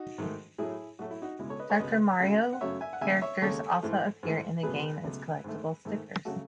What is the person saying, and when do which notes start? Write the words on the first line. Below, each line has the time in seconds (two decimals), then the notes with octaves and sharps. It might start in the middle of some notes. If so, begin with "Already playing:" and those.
"Doctor Mario" characters also appear in the game as collectible stickers.
Already playing: D#4 F#4
0.18 G#2 D#3 A3
0.58 A2 F#3 A3 E4 G#4
0.99 A2 F#3 A3 F#4
1.11 E4
1.22 D#4 F#4
1.39 C#2 B2 G#3 E4
1.50 A4 C#5
1.59 B4 D#5
1.70 A4 C#5
1.79 C#2 B2 G#3 B4 D#5
2.20 F#2 C#3 F#3 A3
2.53 F#5
2.61 F#2 C#3 F#3 A3 C#5 E5
2.81 E5 G#5
2.93 F#5
3.01 D#2 C#3 G#3 E5 G#5
3.22 C#5 E5
3.42 D#2 C#3 G#3 A4 C#5
3.83 G#2 E3 A3
4.23 G#2 E3 A3
4.63 C#2 B2 F#3 A3 G#4 B4
5.04 C#2 B2 F#3 A3
5.44 G#2 D#3 A3
5.85 G#2 D#3 A3
6.25 C#3 F#3 A3 F#4 A4